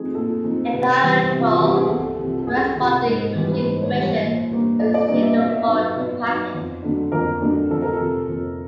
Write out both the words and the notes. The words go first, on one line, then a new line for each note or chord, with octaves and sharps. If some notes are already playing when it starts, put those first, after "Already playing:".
If they are equal, the corresponding routing information is used to forward the packet.
Already playing: F3 A3 C4 D#4 G#4
A#2 A4
F3 A3 C4 D#4
C5
C3 B4
E3 G3 B3
C3
F4
F#4
E3 G3 B3 G4
G#4
C2 A4
C3 F3
A4
C2 G#4
C3 F3
G#2
E3 G3
B4
G#2 C5
C#5
E3 G3
C#5
A#2
G3 A#3 D4
A#2 D5
D5
G3 A#3 D4 D#5
E5
B2 F5
E5
F5
F#3 B3 D#4
B2 B4
F#3 B3 D#4
F2
D3 F#3 A3 D4
F2 A#4
D3 F#3 A3 D4
F2 A4
A#4
A4
C3 F3
F2